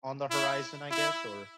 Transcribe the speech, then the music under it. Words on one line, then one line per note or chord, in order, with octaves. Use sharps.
on the horizon, I guess? Or
E4
E4